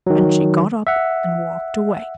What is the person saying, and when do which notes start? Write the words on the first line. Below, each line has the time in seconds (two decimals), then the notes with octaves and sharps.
And she got up, and walked away.
0.07 D#3 F#3
0.87 E5 F#5